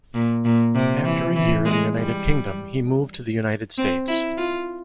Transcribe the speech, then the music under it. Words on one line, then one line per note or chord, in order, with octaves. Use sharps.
After a year in the United Kingdom, he moved to the United States.
A#2
A#2
C3
E3
E3
G#3
G3
C4
E4
F4